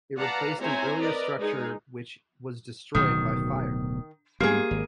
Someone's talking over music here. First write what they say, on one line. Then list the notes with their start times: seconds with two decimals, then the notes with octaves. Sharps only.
It replaced an earlier structure which was destroyed by fire.
0.18 B4 D5 F5 F#5 A5 A#5
0.60 C4 E4 C5 C#5 G#5 A#5
1.00 A#4 B4 D5 D#5
1.38 G#3 D#4 G#4
2.95 D1 B2 D#3 F#3 D#6
4.40 G#2 G3 A#3 B3 G4 G#4
4.71 G#1